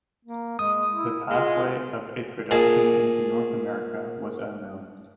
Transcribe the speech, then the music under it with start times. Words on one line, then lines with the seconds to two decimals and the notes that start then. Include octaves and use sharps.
The pathway of introduction into North America was unknown.
0.25 A#3
0.59 G#3 D#6
0.92 E4
1.30 G#3 F4
2.51 A#2 G#4 A5